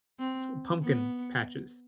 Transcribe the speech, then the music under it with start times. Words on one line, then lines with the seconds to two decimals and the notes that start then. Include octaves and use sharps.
s pumpkin patches.
0.19 C4
0.83 B3